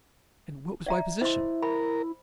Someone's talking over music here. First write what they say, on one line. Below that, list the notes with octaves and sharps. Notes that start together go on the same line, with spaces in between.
And what was my position?
D5 E5 A#5
E4 C5 D#5 C6
A#4 B5